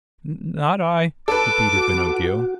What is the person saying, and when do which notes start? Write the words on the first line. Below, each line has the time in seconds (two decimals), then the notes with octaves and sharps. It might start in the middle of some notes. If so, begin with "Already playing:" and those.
"Not I," repeated Pinocchio.
1.28 A4 B4 D6
1.75 F#4